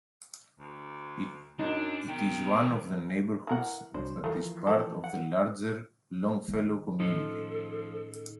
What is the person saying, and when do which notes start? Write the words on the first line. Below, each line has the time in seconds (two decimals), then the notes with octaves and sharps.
It is one of the neighborhoods that is part of the larger Longfellow community.
0.59 D2
1.59 F#2 D4 D#4
2.08 B2 D#3 G5
3.47 E3 A#4 F#5
3.94 C2 F#3 D4 C5
4.24 E3 F3 A3 A#3
4.67 D#3 A4
5.04 F#5
6.48 D#3
7.00 A2 F3 C#4 D#4 A4